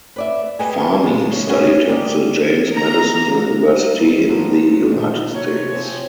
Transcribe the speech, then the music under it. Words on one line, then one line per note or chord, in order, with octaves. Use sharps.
Fahmi studied at the James Madison University in the United States.
B4 D5 E5
G4 G#4 B4 D#5 G#5
A#2 G#3
C#3
C#4 F#4 G#4 B4 D#5
D2 G3 A#3 D5 D#5
A#5
G3 A#4 B5
F3 F#3 A#4
A#2 D#3 F3
C3 F#4 C#5
F3 C4 G#5